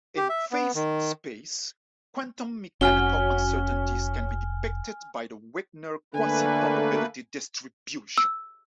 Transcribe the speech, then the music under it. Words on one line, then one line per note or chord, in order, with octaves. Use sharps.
In phase space, quantum mechanical uncertainties can be depicted by the Wigner quasi-probability distribution.
G4
E5
B3
D#3
F1 C#4 F#4 G#5 F6 G7
D3 A3 A#3 B4 G#5
E6